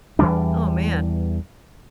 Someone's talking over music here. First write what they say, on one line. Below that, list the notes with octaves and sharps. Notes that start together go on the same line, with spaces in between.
Oh, man.
E2 E3 G3 D4